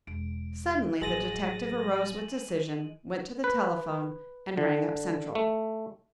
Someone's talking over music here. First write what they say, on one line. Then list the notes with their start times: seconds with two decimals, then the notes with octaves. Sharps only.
Suddenly the detective arose with decision, went to the telephone, and rang up Central.
0.07 E1 D7
1.01 A1 F#3 G#3 A#3 A6 A#6 D#7 F#7
3.44 B4
4.57 D3
5.35 A3